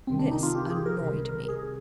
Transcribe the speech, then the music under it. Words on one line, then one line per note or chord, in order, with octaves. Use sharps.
This annoyed me.
C2 C3 D#3 C4
D4
D#4
F4
G4
G#4
A#4
C2 C3 D#3
A#4
G#4